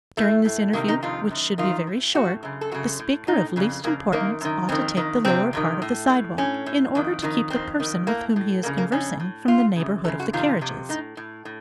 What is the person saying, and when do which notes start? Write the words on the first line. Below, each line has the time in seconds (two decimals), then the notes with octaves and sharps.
During this interview, which should be very short, the speaker of least importance ought to take the lower part of the side-walk, in order to keep the person with whom he is conversing, from the neighborhood of the carriages.
0.17 A2 A3
0.45 A2
0.73 F2 C3 D#3 A#3
0.88 D#4
1.02 F2 C3 D#3 F4
1.30 F#2 D#3
1.58 F#2 D#3 F4
1.87 A2
2.14 A2 F#4
2.43 F#2 C#3
2.61 A4
2.72 F#2 C#3 F#4
3.00 A2
3.27 A2 D#4
3.56 F2 C#3
3.84 F2 C#3 A#3
4.12 F#2 D#3 A#3
4.41 F#2 D#3
4.69 F2 D#3 C4
4.96 F2 D#3
5.25 F2 C3 D#3 C4
5.53 F2 C3 D#3
5.82 A2
6.10 A2
6.38 A2 C#4
6.66 A2
6.95 F2 D#3
7.22 F2 D#3
7.50 F2 D#3 C4
7.80 F2 D#3
8.07 A2 A#3
8.36 A2
8.63 F2 C#3 A#3
8.78 A#3
8.92 F2 C#3 C#4
9.20 A2
9.48 A2 F4
9.76 F#2 C#3
10.04 F#2 A4
10.08 C#3
10.20 F#4
10.33 F2 C3 D#3 F4
10.61 F2 C3
10.89 A2 D#4
11.17 A2
11.45 A2